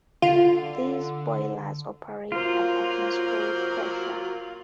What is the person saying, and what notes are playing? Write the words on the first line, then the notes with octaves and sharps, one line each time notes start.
These boilers operate at atmospheric pressure.
D3 F4
F#3 A#3 F4 C5